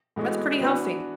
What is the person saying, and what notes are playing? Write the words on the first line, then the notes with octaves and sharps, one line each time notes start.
that's pretty healthy.
A2 E3 G#3 B3 F#4
E3 B3 D4 F#4 B4